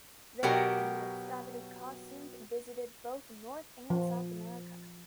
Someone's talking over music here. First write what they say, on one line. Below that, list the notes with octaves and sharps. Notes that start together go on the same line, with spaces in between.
They and their extravagant costumes visited both North and South America.
B2 F#3 G4 A#4 F#5
F3